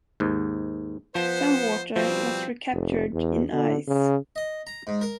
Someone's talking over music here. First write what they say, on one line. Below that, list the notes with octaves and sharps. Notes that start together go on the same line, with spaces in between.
Some water was recaptured in ice.
D#2 G#2
F3 B3 B4 C5
B2 F3 G3 C4
F1
E2
D3
C#3
D#5
A#5
G#2
A#4